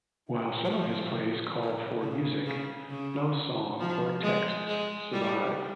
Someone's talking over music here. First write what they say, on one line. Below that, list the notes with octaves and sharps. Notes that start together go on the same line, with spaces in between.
While some of his plays call for music, no songs or texts survive.
F3
C#3
C#3
C#3
F3
G#3
G#3
G3